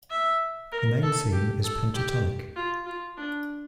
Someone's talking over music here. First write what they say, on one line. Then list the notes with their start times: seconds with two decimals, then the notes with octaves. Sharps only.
The main theme is pentatonic.
0.11 E5
0.72 A#4
1.03 A4
1.33 G4
1.64 A4
1.95 G4
2.56 F4
2.86 F4
3.17 D4